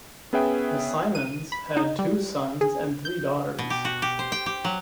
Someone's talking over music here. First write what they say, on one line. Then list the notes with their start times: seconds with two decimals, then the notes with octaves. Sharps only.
The Simons had two sons and three daughters.
0.33 B3 C#4 G#4 B4 E5 G5
1.15 D#7
1.52 B5
1.77 D#4
1.99 G3
2.61 G#4
3.05 G6
3.59 B2
3.70 G4
3.85 F#4
4.02 G4
4.19 C5
4.32 G5
4.46 G4
4.65 F#3